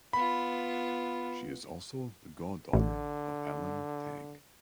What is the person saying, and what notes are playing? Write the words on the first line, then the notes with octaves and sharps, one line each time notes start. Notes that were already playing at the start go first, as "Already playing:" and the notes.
She is also the god-daughter of Alan Tang.
B3 F4 B5
A1 D3